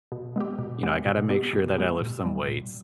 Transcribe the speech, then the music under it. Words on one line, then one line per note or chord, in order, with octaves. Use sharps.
You know, I gotta make sure that I lift some weights,
B2
G#3 B3 G4
B2
G#3 B3 G4
B2
G#3 B3 G4
B2
G#3 B3 G4
A#2
G3 B3
A#2